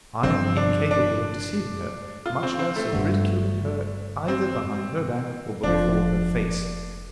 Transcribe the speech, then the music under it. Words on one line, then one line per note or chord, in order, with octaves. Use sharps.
I am incapable of deceiving her, much less of ridiculing her either behind her back or before her face.
G1 G2 D3 F3 C4
D4
D4
F4
C4
C4
A3
G1 G2 D3
C4
F1 F2 F3 D4